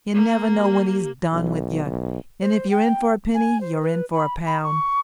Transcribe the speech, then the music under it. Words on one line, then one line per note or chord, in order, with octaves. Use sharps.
You never know when he's done with you, and if you're in for a penny, you're in for a pound.'
A#3
G4
B1
B1
C5
G5
G#5
C5
B4
B5
B5
C#6